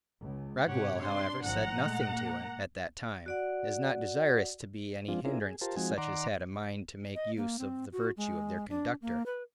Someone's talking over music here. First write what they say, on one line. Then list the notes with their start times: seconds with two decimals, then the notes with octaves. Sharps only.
Raguel however said nothing to him at that time, as not desirous to be any hinderance to such as had a mind to make use of the virtue of their conductor.
0.22 C#2
0.66 G#2 C3 G4 C#5 F#5
1.01 D4 C6
1.44 G#1 F3 F#5 A#5
1.77 A#2 G#3 A3
2.11 A#3
3.26 F#4 D5 F#5
5.08 F3 G#3 C4 D4 F4
5.25 C4 D4 E4 F4 G#4 A#4
5.41 G#4
5.61 F4 G4 A#4 C5 A5
5.77 F3 G#3 C4 D#4 F#4 G#5
5.98 D#3 D5 F#5 A#5 C6 D6
7.15 D#5
7.37 A#3
7.59 C4
7.93 F#4
8.17 G#3
8.69 D4
9.02 A#3
9.26 B4